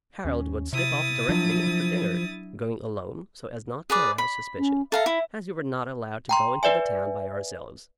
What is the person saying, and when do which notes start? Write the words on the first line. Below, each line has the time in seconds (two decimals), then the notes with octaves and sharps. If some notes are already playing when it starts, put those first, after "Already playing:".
Harold would slip off directly after dinner, going alone, so as not to arouse suspicion, as we were not allowed to go into the town by ourselves.
0.25 D#2 C#4
0.73 C3 E4 D#6 A6
1.29 F3 F#3 D4
3.90 G#4 B4 D5
4.18 B5
4.58 C#4
4.92 A4 E5 F5 A#5
5.06 E4
6.29 G5 A#5 C6
6.63 B4 D5 E5 G#5